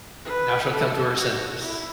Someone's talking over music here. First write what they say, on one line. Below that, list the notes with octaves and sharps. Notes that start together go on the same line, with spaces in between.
Now she'll come to her senses,
B4
A4
F#4
E4